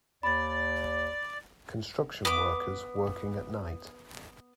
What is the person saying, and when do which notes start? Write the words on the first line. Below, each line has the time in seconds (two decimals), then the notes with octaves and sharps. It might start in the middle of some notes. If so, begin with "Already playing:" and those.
Construction workers working at night.
0.23 D#2 D5 B5 A6
2.25 B3 D6